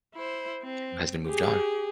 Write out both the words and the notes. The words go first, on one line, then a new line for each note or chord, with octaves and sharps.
you guys have moved on.
E4 C5
C4
G4 G#4